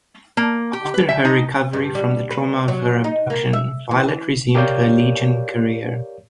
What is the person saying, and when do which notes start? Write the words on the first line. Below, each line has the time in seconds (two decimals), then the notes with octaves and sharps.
After her recovery from the trauma of her abduction, Violet resumed her Legion career.
0.37 A#3
0.73 G4
0.94 B4
1.09 E5
1.25 D#4
1.73 G2
1.95 G3
2.31 B4
2.68 F#3
3.04 D#4
3.30 A#3
3.53 E5
3.91 E3
4.55 G4 A#4 C#5 D5 F5 G6